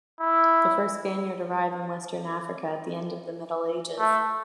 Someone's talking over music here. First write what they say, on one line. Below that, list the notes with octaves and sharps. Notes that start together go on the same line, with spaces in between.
The first Spaniard arrived in western Africa at the end of the Middle Ages.
E4
A3